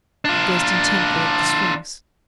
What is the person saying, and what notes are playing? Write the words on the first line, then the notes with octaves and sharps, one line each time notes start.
He gazed intently at the sphinx.
D4 F4